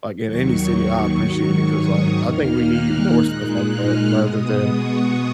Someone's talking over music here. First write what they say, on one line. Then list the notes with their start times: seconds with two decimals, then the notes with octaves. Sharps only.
like, in any city, I appreciate it, 'cause, like, I think we need more stuff like that rather than,
0.24 D#2 D#3 F#3 C#6
1.21 G#2 D#3 F#3 C#6
1.71 D#6
2.19 D#2 D#3 A#3 D#4 F6
2.68 F#6
3.17 A#2 G#3 D#4 F#6
3.66 F6
4.15 B2 G#3 B3 D#6
4.64 C#6